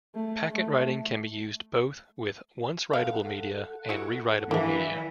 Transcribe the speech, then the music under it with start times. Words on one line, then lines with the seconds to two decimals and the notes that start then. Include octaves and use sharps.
Packet writing can be used both with once-writeable media and rewriteable media.
0.15 A3
0.52 A3
2.93 A4 F5 F#5
3.89 E4 F#4
4.51 E3 A#3 D4